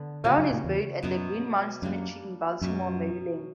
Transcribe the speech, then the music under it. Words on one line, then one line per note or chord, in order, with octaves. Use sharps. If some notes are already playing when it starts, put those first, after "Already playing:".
Brown is buried at the Greenmount Cemetery in Baltimore, Maryland.
Already playing: D3 B3
A#2 C#3 G3 C#4 F#4
F#2
A#2
E2
F#2 B2 F#3 B3
F#2 G3 A#3 D4
F#2 B2 F#3 C#4